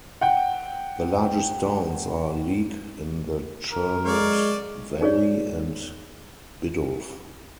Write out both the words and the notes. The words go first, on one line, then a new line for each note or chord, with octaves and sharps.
The largest towns are Leek in the Churnet valley and Biddulph.
F#5 G5
A#4
G#3 C#5 D5 F5
D#4 G#4 C#5 D5